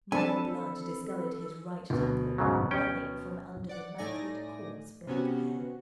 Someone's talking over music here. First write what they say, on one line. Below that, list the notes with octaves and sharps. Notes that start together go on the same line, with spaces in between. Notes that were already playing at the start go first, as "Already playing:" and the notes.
More blood discoloured his right temple, welling from under the matted, coarse black hair.
F3 C4 D4 A4 G#5 A5 B5
D2 B2
G#2 C#3 F#3
C#4 G5
D5 F#5
A2 A3 D#4 D5 G#5 A#6
C3 B3 C#4 F#4